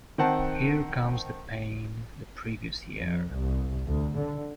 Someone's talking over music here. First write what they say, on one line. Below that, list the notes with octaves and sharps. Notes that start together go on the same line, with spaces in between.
Here Comes the Pain the previous year.
D#3 C4 F#5 A5
F2
C2
D2
D3